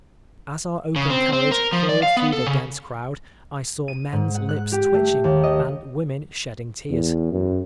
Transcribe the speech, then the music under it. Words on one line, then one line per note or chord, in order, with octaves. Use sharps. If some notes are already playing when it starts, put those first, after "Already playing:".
As our open carriage crawled through the dense crowd I saw men's lips twitching and women shedding tears.
C#3
C4
C4
A#4
F3
D5
F5
B3
A4
C#3
D#7
G#2
F#5
F#6
G4
A3
D#2
D#5
E2
F#2